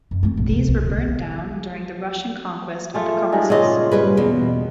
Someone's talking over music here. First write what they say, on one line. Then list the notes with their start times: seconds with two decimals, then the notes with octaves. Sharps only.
These were burned down during the Russian conquest of the Caucasus.
0.11 F#2
0.23 A3 C4
0.37 A#1
0.50 D2 C3
0.68 B1
0.85 D3 C4
2.94 A3 F4 G#4
3.32 G3 G#3 D#4
3.50 A#2 C#3 F4 G#4 D#5
3.91 G3 G#4 B4
4.17 E2 B2